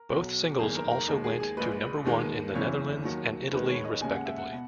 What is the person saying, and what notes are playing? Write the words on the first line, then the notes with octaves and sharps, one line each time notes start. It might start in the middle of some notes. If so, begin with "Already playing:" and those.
Both singles also went to number one in the Netherlands and Italy, respectively.
Already playing: A#4
B1 B2 F#3
F#1 E2 D#3 G#4
A#4
A#4
D#2 D#3 G#3
G#4
G#4
A#1 A#2 G#3 B4
D#2 D#3 G#3
F#1 E2 C#3 E3 C#5
D#2 D#3 F#3
E1 D#2 D#3 G#3 B4
C#5
D#5
D#2 C#3 G#3 G#5
F#5
E5
F#5
B2